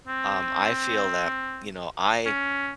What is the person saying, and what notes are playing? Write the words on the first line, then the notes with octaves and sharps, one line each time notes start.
Um, I feel that, you know, I
C4
C#4